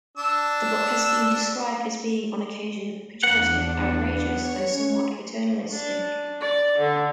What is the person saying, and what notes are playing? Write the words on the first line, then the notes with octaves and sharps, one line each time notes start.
The book has been described as being on occasion pejorative, outrageous, and somewhat paternalistic.
D4 E6
E2 D4 F#5
B3
C#5 C#6
C#4
D4
D5
D3